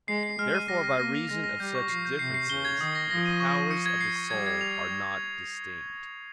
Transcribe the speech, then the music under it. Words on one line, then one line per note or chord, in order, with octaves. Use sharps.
Therefore by reason of such differences the powers of the soul are not distinct.
G#3 C7
C7
G#3 F6
D#7
G3 A#6
A#6
A#3 A#6
F7
G#3 A#6
A#6
G3 G6
C#6
F3 C7
G6
C3 C7
C7
C#3 G7
G#6
D#3 D#6
A#6
F3 A#6
D#7
C#6
C#6
C#7
G#6
C7
C#6
G3 G#6
G#6
F7